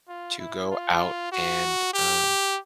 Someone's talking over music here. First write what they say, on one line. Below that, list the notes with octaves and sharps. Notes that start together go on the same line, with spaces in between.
to go out and, um,
F4
E4
F4
F#4
G4